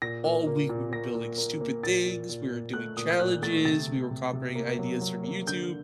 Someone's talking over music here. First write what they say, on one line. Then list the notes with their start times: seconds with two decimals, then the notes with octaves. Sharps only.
All week, we were building stupid things, we were doing challenges, we were copying ideas from YouTube.
0.02 A#2 A#6
0.24 A#2
0.47 A#3
0.69 A#2
0.92 A#3 A#6
1.15 A#2
1.38 A#3
1.61 A#3
1.83 A#2 A6
2.06 A#2
2.29 A#2
2.51 A#2
2.74 A3 F#6
2.97 A#2 D#6
3.11 G6
3.20 A#2 F#6
3.42 A3 A6
3.65 C3 A6
3.88 C3
4.11 C3
4.33 C3
4.55 A#3
4.78 F#3
5.01 F#3
5.24 A#3
5.46 D3 G6